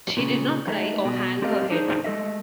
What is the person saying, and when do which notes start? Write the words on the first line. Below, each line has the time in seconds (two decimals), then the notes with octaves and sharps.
She did not cry or hang her head.
0.17 A#2 C#3
0.68 G#3 A3 D#4
1.05 B2
1.42 C4 G4 A4 A#4 D#5 F5
1.70 D4 D#4 G#4 C5
2.04 G#3 A3 A4 D#5 E5